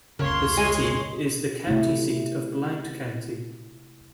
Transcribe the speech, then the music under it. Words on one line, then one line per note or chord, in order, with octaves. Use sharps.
The city is the county seat of Blount County.
F1 C#2 C#3 A#3 C#5 C6
G#3 G#5
C3 A3 E4